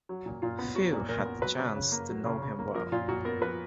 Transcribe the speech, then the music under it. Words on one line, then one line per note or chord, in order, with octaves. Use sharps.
Few had the chance to know him well.
F#3
A#2
A#2 F4
B3
F#3 F#4
A#2
A#2 A#4
B3
F#3 B4
C#3
C#3
A#3
F#3
C#3
C#3
A#3
F3 A#4
A#2 F4
A#2 F#4
B3 A#4
F3 B4